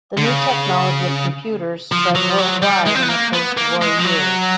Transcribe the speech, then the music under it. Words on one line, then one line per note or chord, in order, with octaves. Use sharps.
The new technology of computers spread worldwide in the post war years.
D3
C#3
F3
F#3
F3
F#3
G3
G#3
C4
B3
A#3
B3
A#3
G#3
F3
F#3